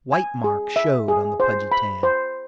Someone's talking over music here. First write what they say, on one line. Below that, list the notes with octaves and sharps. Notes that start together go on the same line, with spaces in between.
White marks showed on the pudgy tan.
G#5
G#4
E5
G#4
C5
B5
C5